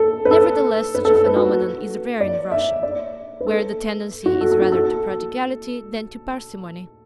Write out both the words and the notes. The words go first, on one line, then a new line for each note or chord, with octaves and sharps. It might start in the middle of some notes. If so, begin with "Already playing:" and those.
Nevertheless, such a phenomenon is rare in Russia, where the tendency is rather to prodigality than to parsimony.
Already playing: A4
B4
A4
B4
A4
A4
B4
F#4
D5
E5
D5
B4
A4
F#4
A4
A4
F#4
A4